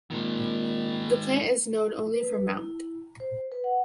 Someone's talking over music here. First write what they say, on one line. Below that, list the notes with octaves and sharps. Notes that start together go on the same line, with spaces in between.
The plant is known only from Mt.
A#2 D#3 G#3
B4
E4
C5
B4
F#5